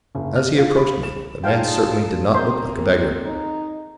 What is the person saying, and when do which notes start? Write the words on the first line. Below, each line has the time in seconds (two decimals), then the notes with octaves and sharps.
As he approached me, the man certainly did not look like a beggar.
0.15 F#1
0.36 F6
0.58 F4
0.76 B5
1.03 E7
1.44 D#4 F4 G#4 F5 G5 A5
2.34 A#3 C4 G#4 A#4 C5
3.26 D#4